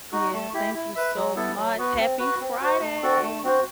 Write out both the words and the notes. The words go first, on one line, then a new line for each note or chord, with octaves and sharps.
Yeah, thank you so much. Happy Friday!
D#4 F#4
A3
E4 G4
E4
B4 E5
F#3
B3 E4 A4
F#3
B3 F#4 B4
C4
F#4 B4
C4
F#4 C5
A3
C4 F#4 A4
A3
C4 F#4 C5